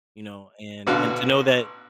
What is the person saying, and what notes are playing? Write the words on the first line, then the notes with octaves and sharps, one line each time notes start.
you know, and and to know that,
A1 B2 D3 F#4 F5